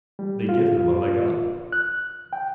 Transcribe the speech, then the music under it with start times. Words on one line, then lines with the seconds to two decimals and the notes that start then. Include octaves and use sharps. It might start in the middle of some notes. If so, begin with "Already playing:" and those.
They give him a leg up.
0.19 G3
0.49 F4
0.77 F4
1.72 F#6
2.33 G5